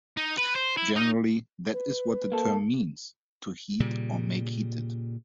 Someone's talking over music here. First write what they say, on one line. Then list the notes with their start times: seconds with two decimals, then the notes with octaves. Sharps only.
Generally, that is what the term means: to heat, or make heated.
0.17 D#4
0.38 B4
0.56 C5
0.77 E4
0.96 D#4 D#5
1.73 B4
2.32 A#3 A4
3.80 A#2 C#3 G3